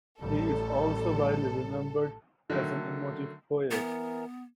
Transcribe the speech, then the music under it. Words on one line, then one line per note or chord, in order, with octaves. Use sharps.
He is also widely remembered as an emotive poet.
A1 G3 A4
D3 D#3 F#3 A3
E3 B3 A#4